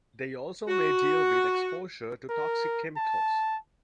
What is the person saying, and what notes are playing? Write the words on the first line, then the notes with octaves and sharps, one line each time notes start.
They also may deal with exposure to toxic chemicals.
F#4
A#4
A5